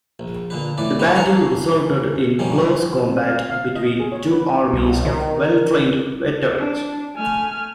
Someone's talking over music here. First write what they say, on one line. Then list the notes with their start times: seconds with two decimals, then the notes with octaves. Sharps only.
The battle resulted in close combat between two armies of well-trained veterans.
0.19 A#1
0.50 A#2 D3 B4
0.78 A2 E3 B4 D5
0.99 A#3 B3 D#4 B4
1.15 G#4 C#5 F5 A5 A#5 C#6
2.39 F#2 D#3 F3 G3 C#4
3.09 C4
3.25 F5
3.50 F5
3.76 D#5
4.00 G#4
4.12 C#5
4.31 B4
4.73 C2
5.05 D#3
6.57 D4
7.16 A3 G#5 F6